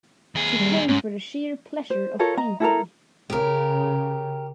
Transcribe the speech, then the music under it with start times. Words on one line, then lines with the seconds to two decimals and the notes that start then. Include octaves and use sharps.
To paint for the sheer pleasure of painting.
0.35 D#2 G#4
0.59 G3
0.88 G#2 C#4
1.90 C5
2.19 F4 A4 A#4 C#5
2.37 D#5 A#5
2.60 E4 A4 A#4 A#5
3.30 C#3 G4 A#4